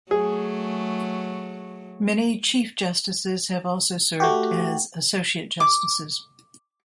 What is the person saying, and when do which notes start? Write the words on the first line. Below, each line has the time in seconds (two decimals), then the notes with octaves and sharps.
Many Chief Justices have also served as associate justices.
0.11 F#3 A3 G#4
4.20 A3 F#4 G4
5.60 D6